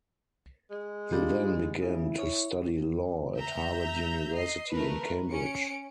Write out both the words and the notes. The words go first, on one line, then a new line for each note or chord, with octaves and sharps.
He then began to study law at Harvard University in Cambridge.
G#3
D3 G3 F4
C#3 E4
C#5
E5 A#5 G6
D#5 C7
A3 A#4 B4
C#4 C#7 D7